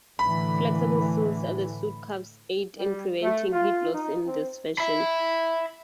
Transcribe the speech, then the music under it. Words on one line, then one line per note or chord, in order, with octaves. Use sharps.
Flexible seals at the suit cuffs aid in preventing heat loss in this fashion.
A2 D3 E3 B5
G3
A3
F4
D#4
C4
E5 B5